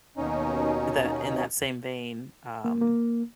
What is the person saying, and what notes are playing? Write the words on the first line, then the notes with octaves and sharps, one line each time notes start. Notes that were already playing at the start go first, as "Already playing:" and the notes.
the in that same vein, um,
D#2 B2 C#4 D#4
A#3
A#3